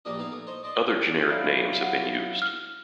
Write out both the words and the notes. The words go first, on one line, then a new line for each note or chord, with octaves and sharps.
Other generic names have been used.
A#1 G2 A#2 A#3 D4 D#5
B3 D#4 E4 F5
A3
C5 C#5 D#5
D5 D#5 A5 C6
F#3 E4 D5 F5
F#5
F6